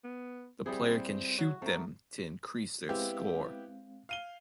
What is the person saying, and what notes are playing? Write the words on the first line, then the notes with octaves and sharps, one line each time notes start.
The player can shoot them to increase their score.
B3
G3 C4 E4 G#4
F#3 F#4
A3 C4 A#4
G#3 B3 C4 E4 G4 F5
F5 D#7 G7